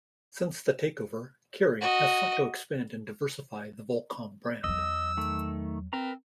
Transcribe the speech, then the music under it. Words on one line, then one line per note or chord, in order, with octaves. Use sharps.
Since the takeover, Kering has sought to expand and diversify the Volcom brand.
F#4 D#5
E2 F#3 D#5 E6
D#3 A3
C4 A#4 B4 A#5